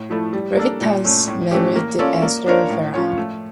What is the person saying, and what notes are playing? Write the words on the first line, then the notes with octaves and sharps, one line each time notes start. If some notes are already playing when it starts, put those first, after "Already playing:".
Levitas married Esther Fera.
Already playing: A2
F3 A3 E4 A4
G3
A#3 D4 A4 D5
A#2
A3 C#4
A2
E3 A3 C#4 G4
A#3
C#4 F4 A4 D5
A#3
D4 F4 A#4 C#5
A2
F3 C#4 F4 C#5
A3